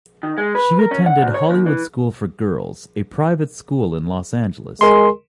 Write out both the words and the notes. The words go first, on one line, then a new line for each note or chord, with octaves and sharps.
She attended Hollywood School for Girls, a private school in Los Angeles.
D#3
G#3
B4
A#4
C#4
F#5
D2
C#5
D#2
E3
G#3 A#4 C6